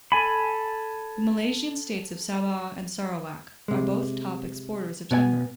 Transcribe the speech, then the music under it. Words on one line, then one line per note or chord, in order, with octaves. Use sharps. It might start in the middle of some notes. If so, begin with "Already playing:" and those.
The Malaysian states of Sabah and Sarawak are both top exporters of timber.
A4 G#5 B5
C3 G#3
B2 B3 D5 G#5